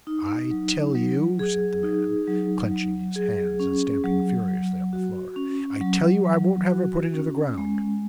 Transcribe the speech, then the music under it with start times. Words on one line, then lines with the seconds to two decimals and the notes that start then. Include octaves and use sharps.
'I tell you,' said the man: clenching his hands, and stamping furiously on the floor,--'I tell you I won't have her put into the ground.
0.07 D#4
0.51 F#3
0.95 F#3
1.39 G#4
1.83 D#4
2.28 F#3
2.71 F#3
3.16 G#4
3.60 C#4
4.04 F#3
4.48 F#3
4.93 F#4
5.36 C#4
5.81 F#3
6.25 F#3
6.69 F#4
7.14 C#4
7.58 G#3